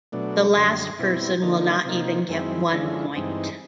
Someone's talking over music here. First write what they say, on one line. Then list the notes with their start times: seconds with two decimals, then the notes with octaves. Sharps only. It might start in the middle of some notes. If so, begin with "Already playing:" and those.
The last person will not even get one point.
0.12 B2 F#3 A3 D4
0.56 F#2 D3 G3
0.99 B2 G3 C4 E4
1.42 D3 F3 A#3 D#4
1.85 C3 F3 A#3 D#4
2.29 F#2 D#3 G#3 C4 E4
2.72 D3 F3 G#3 C#4 E4
3.15 G2 E3 G#3 C4 D#4